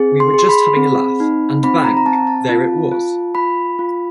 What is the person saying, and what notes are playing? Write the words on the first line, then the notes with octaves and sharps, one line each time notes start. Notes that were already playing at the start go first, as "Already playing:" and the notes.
We were just having a laugh, and bang, there it was.
Already playing: C4 G#4
C6
G#4 C6
B5
C4
D#4
C4 B5
A#5
A#5
C4 A5
A5
F4
F4
F4 B5
F4